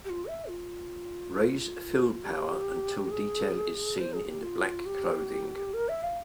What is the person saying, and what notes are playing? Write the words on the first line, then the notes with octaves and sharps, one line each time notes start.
Raise fill power until detail is seen in the black clothing.
G4
F4
E5
F4
G4
G#4
C5
G#4
G4
F4
G4
A#4
E5
F5